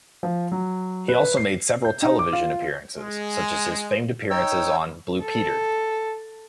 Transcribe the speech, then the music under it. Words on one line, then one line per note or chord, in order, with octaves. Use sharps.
He also made several television appearances, such as his famed appearances on "Blue Peter".
F3
F#3
B4
C7
G6
D#4
D6
F4
G#3
D#4 C#5 G5 E6
A4